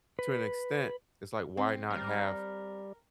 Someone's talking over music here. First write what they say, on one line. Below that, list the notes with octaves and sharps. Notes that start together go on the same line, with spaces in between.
to an extent, it's like, why not have
B4
C4
G3 A#4